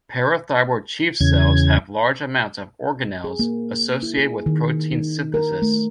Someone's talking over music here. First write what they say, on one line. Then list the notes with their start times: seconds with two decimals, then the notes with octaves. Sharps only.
Parathyroid chief cells have large amounts of organelles associated with protein synthesis.
1.21 E2 C#3 G#6
3.24 G#4
3.39 A#3
4.03 E4
4.17 G#4
4.46 D#3
4.92 D#4
5.34 A#4
5.62 A3